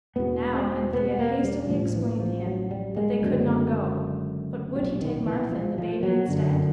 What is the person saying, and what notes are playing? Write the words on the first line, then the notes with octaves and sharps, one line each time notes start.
Now Anthea hastily explained to him that they could not go, but would he take Martha and the Baby instead?
E1 E2 B2 B3
C4
B3
A#3
G3
A1 A2 F3
E3
F3
F#3
G3
G#3
F#1 F#2 D3
B1 A#2 G3
D#3
E3
F3
F3
F#3
G1 F#2 D3